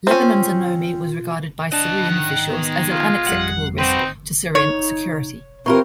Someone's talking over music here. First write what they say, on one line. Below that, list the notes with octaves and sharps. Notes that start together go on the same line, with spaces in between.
Lebanon's anomie was regarded by Syrian officials as an unacceptable risk to Syrian security.
C4 C#4 F4
D4 D#5 F#5 A5
D#3
G#3 B3
F4
F2 G3 F#5 C7
C4 D#4 F#4 B4
D#4 C#5
E3 C4 F4 G4 A#4 B5 C#6